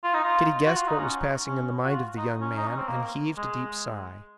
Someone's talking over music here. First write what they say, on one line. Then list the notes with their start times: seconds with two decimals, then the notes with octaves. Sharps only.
Kitty guessed what was passing in the mind of the young man, and heaved a deep sigh.
0.04 F4
0.14 D#4
0.24 F4
0.65 F#4
0.76 F4
0.88 D#4
0.99 C#4
1.47 C#4
1.84 F#4
1.94 F4
2.17 D#4
2.41 C#4
2.57 D#4
2.68 C#4
2.78 C4
2.89 A#3
3.37 G#3